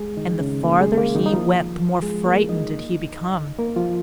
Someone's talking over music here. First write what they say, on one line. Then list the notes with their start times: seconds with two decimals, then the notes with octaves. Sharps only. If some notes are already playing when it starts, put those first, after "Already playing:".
And the farther he went the more frightened did he become.
Already playing: G#3 G#4
0.17 D#3 D#4
0.40 C#3 C#4
0.64 A#3
0.80 G#3 G#4
0.97 A#3 A#4
1.15 D#3 D#4
1.26 D#4
1.32 F3 F4
2.02 G#3 G#4
2.25 A#3 A#4
2.48 D#4 D#5
3.59 A#3 A#4
3.76 F3 F4